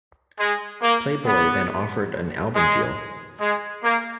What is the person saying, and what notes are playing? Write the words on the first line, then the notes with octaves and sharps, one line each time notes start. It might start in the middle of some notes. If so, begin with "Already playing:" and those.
Playboy then offered an album deal.
G#3
A#3
B3
G#3
G#3
A#3